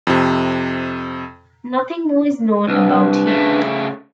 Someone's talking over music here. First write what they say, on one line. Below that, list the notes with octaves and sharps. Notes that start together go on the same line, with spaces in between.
Nothing more is known about him.
F2 C3
C2 D4 B4
C#3 A3